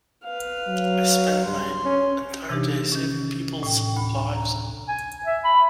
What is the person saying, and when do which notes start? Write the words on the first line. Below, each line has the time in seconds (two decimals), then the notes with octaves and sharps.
I spend my entire day saving people's lives.
0.24 B4 F5
0.67 F#3
1.46 G2 C6
1.85 C#4
2.49 C3 E3 D4 D#4 G4
2.92 D#3 C#4
3.63 A2 G5
3.96 D2 B5
4.34 A#5
4.88 G#5
5.26 E5
5.44 B5